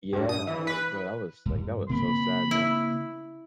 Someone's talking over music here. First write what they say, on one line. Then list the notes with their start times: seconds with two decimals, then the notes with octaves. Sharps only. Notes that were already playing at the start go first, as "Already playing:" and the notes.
Yeah. Like, bro, that was, like, that was so sad, man.
0.13 G2
0.29 D#6
0.47 E3
0.67 B4
1.46 G2
1.89 C#3 A#3 C4 B5
2.51 E4